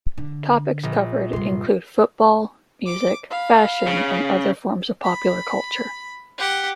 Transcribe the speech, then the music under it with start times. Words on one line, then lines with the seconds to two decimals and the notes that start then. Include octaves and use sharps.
Topics covered include football, music, fashion and other forms of popular culture.
0.18 D3
0.83 A#1
1.33 G2 C3 C6
2.86 D6
3.30 F5 B5
3.87 C#3
5.04 B5
6.38 G4 F#5